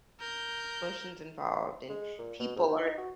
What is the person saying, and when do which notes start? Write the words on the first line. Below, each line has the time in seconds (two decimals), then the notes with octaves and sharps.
promotions involved, and people are
0.20 A#4 G6
1.89 G#3
2.18 A#2
2.40 B2
2.56 G#2
2.69 D#3
2.82 D#4
2.98 F#4